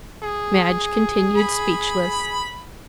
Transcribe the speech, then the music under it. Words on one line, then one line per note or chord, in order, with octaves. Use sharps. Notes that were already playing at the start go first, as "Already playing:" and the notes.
Madge continued speechless.
G#4
B5